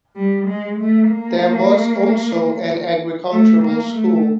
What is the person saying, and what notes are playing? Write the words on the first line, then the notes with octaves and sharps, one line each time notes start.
There was also an agricultural school.
G3
G#3
A3
A#3
A3
A#3
A3